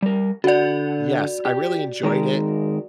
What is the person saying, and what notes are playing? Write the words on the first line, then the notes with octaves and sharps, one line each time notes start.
Yes, I really enjoyed it.
G3 A#4
D3 F#4 D5 F#5
G4
D#3 G#3 A#4